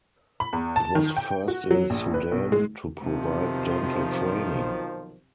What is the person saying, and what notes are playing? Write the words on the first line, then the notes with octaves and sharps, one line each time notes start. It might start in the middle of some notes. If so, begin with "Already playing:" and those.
It was the first in Sudan to provide dental training.
B5
E2
A5
D#3
G5
F#4
F#3
A#1
B4
B1
G#3
B1 C3 D#3 F3